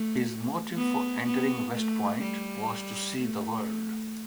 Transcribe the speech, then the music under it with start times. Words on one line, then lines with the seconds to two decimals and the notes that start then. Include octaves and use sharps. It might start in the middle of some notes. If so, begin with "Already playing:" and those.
His motive for entering West Point was "to see the world".
Already playing: A3
0.77 B3
1.26 B3
1.74 A3
2.22 G3
3.20 A3